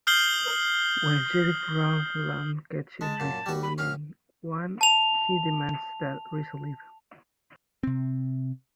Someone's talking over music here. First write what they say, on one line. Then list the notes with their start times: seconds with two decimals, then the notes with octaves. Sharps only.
When Sheriff Ralph Lamb catches Rizzo in one, he demands that Rizzo leave.
0.07 D#6 F6 G6 C7 F#7 G7
3.01 G#3 A5
3.20 F#2 A#2
3.46 G3 F#4
3.63 B5
3.78 A#1 C#4 F6
4.81 A5 F7
7.83 C3 C4